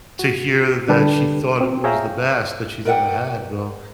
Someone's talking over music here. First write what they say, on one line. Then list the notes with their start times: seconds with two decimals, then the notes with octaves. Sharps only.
to hear that she thought it was the best that she's ever had, though.
0.19 F#4
0.89 D3 G3 D4 G4 A4 B4
1.61 C4
1.84 G#4 C#5 E5 F5 G5 A#5
2.85 A#4 B4 D5 E5 F#5 G5